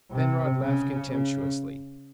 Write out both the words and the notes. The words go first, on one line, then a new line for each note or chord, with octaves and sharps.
Penrod laughed contemptuously.
C3
C#3
C#3